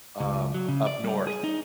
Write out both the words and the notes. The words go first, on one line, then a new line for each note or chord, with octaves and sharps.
um, up north,
C#2
F#3
C#3
D5
G3
G#4
D#4